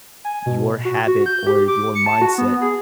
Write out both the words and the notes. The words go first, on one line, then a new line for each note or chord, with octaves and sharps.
your habit or your mindset
G#5
B2
F#4
F#4
G6
G4
D6
C#7
A5
F#4
B3
G#4